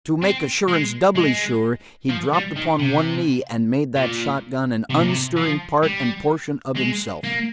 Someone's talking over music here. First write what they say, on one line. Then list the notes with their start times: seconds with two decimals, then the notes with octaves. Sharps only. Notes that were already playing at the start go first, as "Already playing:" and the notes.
To make assurance doubly sure he dropped upon one knee and made that shotgun an unstirring part and portion of himself.
0.22 C4
0.68 G#3
1.16 G#3
2.09 F3
2.33 G3
2.56 D#3
2.79 C3
3.96 A#2
4.90 C3
4.99 A#2
5.07 C3
5.36 F3
5.83 G3
6.76 G#3
7.24 A#3